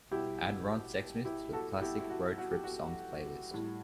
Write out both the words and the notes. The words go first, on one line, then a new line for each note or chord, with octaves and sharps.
Add ron sexsmith to the classic road trip songs playlist.
B2 G3 E4 G4
E4 G4
F#4 A4
E4 G4
E4
F#4
F#4
G4
F#4
A2 G3